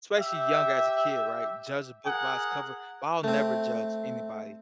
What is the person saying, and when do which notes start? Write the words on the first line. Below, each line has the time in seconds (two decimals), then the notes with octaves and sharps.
especially young as a kid, right, judge a book by its cover, but I'll never judge anybody
0.18 G4 E5
2.06 G#4 A#4 F#5
3.24 A3 C4